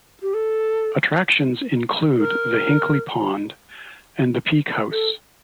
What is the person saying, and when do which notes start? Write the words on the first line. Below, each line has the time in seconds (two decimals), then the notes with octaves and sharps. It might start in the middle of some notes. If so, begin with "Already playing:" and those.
Attractions include the Hinkley Pond and the Peak House.
0.22 G4
0.33 A4
2.17 A#4
4.91 A4